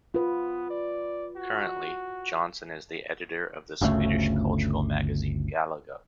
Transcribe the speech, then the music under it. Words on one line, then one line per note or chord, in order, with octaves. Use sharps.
Currently, Jonsson is the editor of the Swedish cultural magazine "Galago".
B3 F4 B4
D5
F#4
G1 D2 C#3 A3